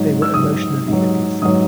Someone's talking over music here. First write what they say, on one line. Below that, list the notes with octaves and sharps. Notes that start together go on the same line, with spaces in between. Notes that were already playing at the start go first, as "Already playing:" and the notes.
They were emotionally abusive.
Already playing: G#2 F#3
E6
G#2 F#3 D#6
G#2 F#3
G#2 F#3 D#6